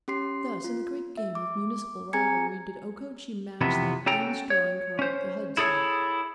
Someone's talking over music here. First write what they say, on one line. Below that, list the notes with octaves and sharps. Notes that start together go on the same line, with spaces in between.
Thus in the great game of municipal rivalry did Okochee match that famous drawing card, the Hudson.
C#4 G4 C6 C7
F4
E5
D6
C4 G#4 G#5 A#5 G#6 C#7
F2 C3 E3 B3
C#4 F#4 A4 G5 A#5
C#5
C#4 C5
E4 G#4 A4 C#5